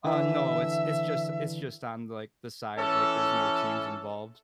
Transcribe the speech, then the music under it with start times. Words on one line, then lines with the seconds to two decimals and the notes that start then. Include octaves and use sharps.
Uh, no. It's it's just it's just on, like, the side, like, there's no teams involved.
0.04 D3 E3 E5
2.77 E3 C#4 A4